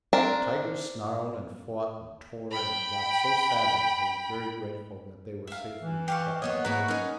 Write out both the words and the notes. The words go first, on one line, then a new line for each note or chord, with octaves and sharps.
The tigers snarled and fought and tore and got so savage I was very grateful that they were safely shut up.
C4 D4 A#4
G5 B5
E5 F5
E3
G4 F5 C#6
A#3 B3 C#5 D#5 F#5 D#6
G#2 A#3 E4 G#4 B4 F#5 A#5 C#6
C#4 D#4 A#4 G#5